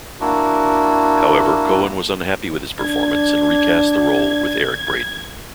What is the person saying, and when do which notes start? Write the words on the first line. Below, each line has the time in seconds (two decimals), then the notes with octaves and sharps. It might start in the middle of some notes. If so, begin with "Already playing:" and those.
However Cohen was unhappy with his performance and recast the role with Eric Braeden.
0.21 A#3 D4 E4 F#4
2.79 D4 G#6